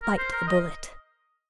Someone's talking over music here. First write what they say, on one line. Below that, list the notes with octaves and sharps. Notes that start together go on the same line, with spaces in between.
Bite the bullet.
A#4
C5
A#4
D#5